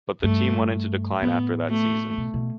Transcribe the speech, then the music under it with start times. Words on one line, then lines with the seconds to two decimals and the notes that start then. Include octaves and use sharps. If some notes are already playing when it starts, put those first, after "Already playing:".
But the team went into decline after that season.
0.23 G2 A3
1.22 A2 B3
1.70 A3
2.18 B2
2.34 B2